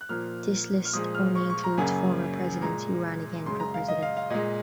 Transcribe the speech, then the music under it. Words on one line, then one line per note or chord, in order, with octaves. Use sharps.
This list only includes "former" presidents who ran again for president.
F#6
A#2 F3 A#3 F6
F6
A#2 F3 G#3 D#6
F6
C#6
C#6
A#5
F#2 C#3 F#3 A#3 G#5
A#2 G#3 A#5
F#2 C#3 G#3 C6
A#5
F5
D#5
F5
F5
A#2 G#3 D#5